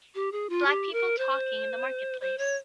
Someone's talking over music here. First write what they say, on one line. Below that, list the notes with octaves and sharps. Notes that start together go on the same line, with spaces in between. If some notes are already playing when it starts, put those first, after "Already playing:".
Black people talking in the marketplace.
G4
G#4
F4
G4
A#4
C5
C5
C#5